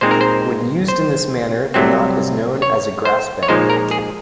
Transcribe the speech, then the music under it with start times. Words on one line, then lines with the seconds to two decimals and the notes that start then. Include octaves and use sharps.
When used in this manner, the knot is known as a grass bend.
0.01 A#2 G#3 C4 D#4 C5
0.11 A#4
0.21 C5
0.88 C5
1.74 C2 C3 F#3 C4
2.62 C#5
3.05 C5
3.43 C#5
3.48 A#2 F3 G#3 D#4 C5
3.70 A#4
3.91 G#4